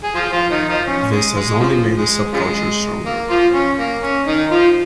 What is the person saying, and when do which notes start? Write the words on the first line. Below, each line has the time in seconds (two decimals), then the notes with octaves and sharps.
This has only made the subculture stronger.
0.04 G#4
0.15 F3 F4
0.33 F3 F4
0.51 D#3 D#4
0.69 F3 F4
0.87 C#4
1.12 G#3
1.36 G#3
1.55 G#3
1.60 C#3 F3
1.97 G#3
2.33 C#3 F3 G#3
3.06 A#3
3.30 F3 F4
3.54 C#4
3.79 A#3
4.03 C#4
4.27 D#3 D#4
4.51 F3 F4